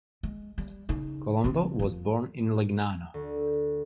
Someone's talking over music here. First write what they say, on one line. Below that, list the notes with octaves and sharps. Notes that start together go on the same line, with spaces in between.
Colombo was born in Legnano.
G#3
G3
C#3 D#4
C#3 C4
F2 G3
D2